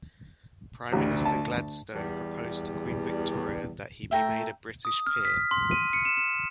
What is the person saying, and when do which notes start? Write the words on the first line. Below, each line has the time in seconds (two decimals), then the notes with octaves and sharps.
Prime Minister Gladstone proposed to Queen Victoria that he be made a British peer.
0.93 A1 D2
1.25 A5
1.93 E2 G3
4.11 A3 E5 G5 A#5
4.85 D#6
5.07 F6
5.25 B6
5.51 C6
5.71 D#7
5.93 C#7
6.05 E7
6.17 E7